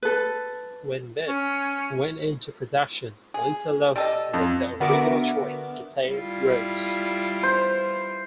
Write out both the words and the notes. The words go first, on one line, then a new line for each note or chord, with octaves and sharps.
When "Bette" went into production, Lindsay Lohan was the original choice to play Rose.
A4 B4
C#4
G#4
G3 A4 D#5
F2
D3 B3 F#4 A#4 E5 D6
G3 E4 F4
C5